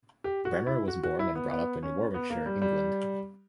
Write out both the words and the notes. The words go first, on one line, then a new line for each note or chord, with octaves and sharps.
Bremmer was born and brought up in Warwickshire, England.
G4
F#4
E4
F#4
F#4
E4
B3
B3
C#4
B3
A#3
G3
G3